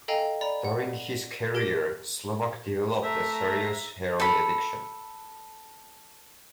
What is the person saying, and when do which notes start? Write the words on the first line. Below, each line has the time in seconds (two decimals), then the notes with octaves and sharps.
During his career, Slovak developed a serious heroin addiction.
0.08 A4 D#5 F5 G5 G#5 A#5
0.41 D5 A#5 B5
0.65 F#5
1.54 G4 A#4 G#6 D7
3.02 A3 E5 A#5
4.20 A4 B5